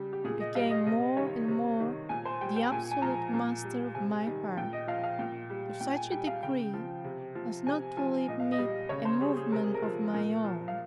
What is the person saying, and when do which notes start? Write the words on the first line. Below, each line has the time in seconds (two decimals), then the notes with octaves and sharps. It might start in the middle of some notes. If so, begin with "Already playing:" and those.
He became more and more the absolute master of my heart, to such a degree as not to leave me a movement of my own.
Already playing: C#3 G3
0.13 G4
0.24 A#2 G#4
0.40 D#5
0.55 G3 F5
0.70 D#5
0.86 C3 D#5
1.17 D#3 G3 C#5
1.48 C3
1.79 D#3 G3
2.09 A#2 G#5
2.25 C5
2.41 G3 G5
2.56 G5
2.72 A#2 G#5
2.91 G#5
3.02 F3 A#5
3.33 A#2 G#5
3.64 G3
3.95 C3 G#5
4.26 D#3 G3
4.57 A#2 G5
4.73 D#5
4.87 F3 F5
5.04 F5
5.19 A#2 G5
5.50 G3
5.81 A#2 G5
5.91 G5
5.96 G#5
6.11 G3 G5
6.27 F5
6.43 C#3 G5
6.74 F3
7.04 C3
7.35 F3
7.67 C3 G#5
7.97 F3 G#5
8.28 A#2 D#5
8.40 F5
8.52 D#5
8.58 G3
8.89 C#3 C#5
9.05 C5
9.21 G3 G#4
9.37 G#4
9.52 C3 A#4
9.63 G#4
9.75 A#4
9.83 F3
10.14 A#2 A#4
10.44 F3
10.68 F5